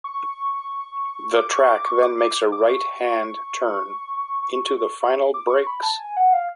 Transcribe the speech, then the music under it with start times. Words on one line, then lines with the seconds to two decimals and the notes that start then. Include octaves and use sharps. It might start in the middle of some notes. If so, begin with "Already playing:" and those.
The track then makes a right hand turn into the final brakes.
0.04 C#6
1.36 D6
1.53 C#6
1.70 D6
1.86 C#6
2.02 D6
2.19 D6
2.52 D6
2.68 C#6
5.34 D6
5.50 C#6
5.67 B5
5.83 A5
5.99 G#5
6.17 F#5
6.33 F5